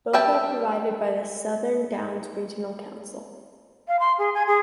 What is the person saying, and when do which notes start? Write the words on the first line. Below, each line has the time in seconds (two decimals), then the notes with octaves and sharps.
Both are provided by the Southern Downs Regional Council.
0.13 G3 E5 G5 A5
3.88 F5
4.00 C6
4.18 G#4
4.34 G#5
4.47 G#4